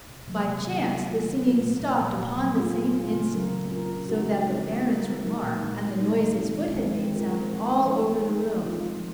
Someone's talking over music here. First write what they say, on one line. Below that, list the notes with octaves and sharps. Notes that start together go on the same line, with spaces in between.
By chance the singing stopped upon the same instant, so that the Baron's remark and the noise his foot had made sounded all over the room.
C3
D#3 F#3 A#3
C3
D#3 F#3 A#3
D#3
F#3 A#3 F4
D#3
F#3 A#3 F4
A#2
A#3
F3
A#2
F3 A#3
F#3
C4 F4 G#4
F#3
C4 F4 G#4
C#3
F#3 C#4 F4 A#4
C#3
F#3 C#4 F4 A#4
C#3
G#3 C4 D#4 F#4
C#3
G#3 C4 D#4 F#4
D#3
A#3 D#4 A#4
D#3
A#3 D#4 A#4
A#2
G#3 D#4
A#2
G#3 D#4
D#3
G#3 C4
D#3
G#3 C4
G#3
C4 F4 A#4
G#3
C4 F4 A#4
F3
G#3 D#4 A#4
F3
G#3 D#4 A#4
F3
C4 F4
F3